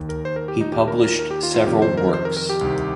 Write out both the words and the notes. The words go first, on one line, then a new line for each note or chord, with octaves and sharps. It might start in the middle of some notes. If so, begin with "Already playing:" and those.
He published several works.
Already playing: D#2 D#3
A#4
C5
A#4
G4
D#4
D#2 D#3 G4
A#4
A#4
A#4
G4
F4
F4
F2 C3 D#3 G4
C5
A#4
C5
A#4
A#4
G4
C2 C3 D#3